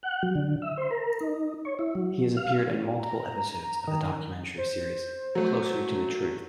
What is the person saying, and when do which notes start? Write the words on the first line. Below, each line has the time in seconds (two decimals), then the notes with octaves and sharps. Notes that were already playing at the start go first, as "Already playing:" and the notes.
He has appeared in multiple episodes of the documentary series Closer to Truth.
0.03 F#5
0.23 F#3
0.35 D3
0.62 E5
0.77 C5
0.91 A#4
1.20 D#4
1.65 C#5
1.79 E4
1.95 F#3
2.37 F5
3.00 A#5
3.88 D#3
4.57 C5
5.35 F#3 A3